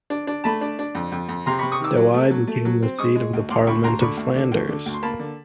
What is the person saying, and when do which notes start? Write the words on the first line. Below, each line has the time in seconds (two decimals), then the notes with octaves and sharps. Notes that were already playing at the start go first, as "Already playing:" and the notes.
Douai became the seat of the Parliament of Flanders.
0.10 D4
0.27 D4
0.44 A3 A5 B5
0.61 D4
0.79 D4
0.95 F2
1.12 F2
1.29 F2
1.46 C3 A#5 C6
1.59 C3 B5 C#6
1.72 C#6 D#6
1.80 D#3 D6 E6
1.97 F#3
2.14 A3
2.31 F#3
2.48 A3
2.65 F#3
2.82 C4
2.99 G#3 C#6 D#6
3.16 G#3
3.33 D2
3.50 D2 C6 D6
3.67 D2 B5 C#6
3.84 D2 A#5 C6
4.01 D3 B5 C#6
4.17 D2
4.35 D3
4.52 D2
4.69 D3
4.86 D2
4.94 C6
5.03 A#3 A5 B5
5.19 D3